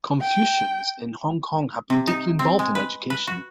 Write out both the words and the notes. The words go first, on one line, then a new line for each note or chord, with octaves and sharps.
Confucians in Hong Kong have been deeply involved in education.
G5
C3
D#4
C4
G#3
B4
B4
F#4